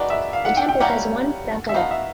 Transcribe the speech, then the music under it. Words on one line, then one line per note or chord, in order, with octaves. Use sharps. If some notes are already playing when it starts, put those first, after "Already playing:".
The temple has one prakara.
Already playing: D#3 G#3 F#4 B4 D5
E5
F5
F#5
G5
G5
G3 A#3 C#4 E4 G4 F#5
E5
B3 D#4 F#4 F5
E5